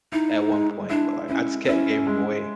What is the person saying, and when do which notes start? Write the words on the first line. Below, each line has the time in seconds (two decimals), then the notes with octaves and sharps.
at one point, but, like, I just kept gave them away,
0.12 D#4 E4
0.51 G#3
0.90 D4 E4
1.29 C#4 E4
1.64 C4
1.68 C#4 E4
2.07 G#3